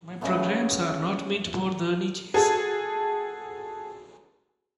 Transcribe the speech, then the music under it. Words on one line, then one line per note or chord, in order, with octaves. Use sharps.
My programs are not meant for the niches.
C#3 G#3 A3 B3
F#4 G#4 A4